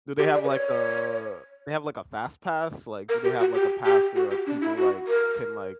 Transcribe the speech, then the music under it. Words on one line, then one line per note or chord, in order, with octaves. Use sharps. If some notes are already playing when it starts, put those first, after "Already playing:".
Do they have, like, a they have, like, a fast pass? Like, do they have, like, a pass where, like, people, like, can, like,
G4
D5
B4
C#5
A#4
G4
F#4
G4
G4
F#4
G4
D4
E4
F#4
A#4